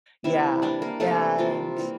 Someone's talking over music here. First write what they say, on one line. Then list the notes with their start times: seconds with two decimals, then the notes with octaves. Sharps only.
Yeah, and d
0.24 C3 E3 G3 A#3 E4 E5
0.62 C3 E3 G3 A#3 D4 D5
0.82 A#3 A#4
1.00 C3 G3 A3 A#3 A4
1.38 C3 F3 G3 A#3 F4
1.76 E3 G3 A#3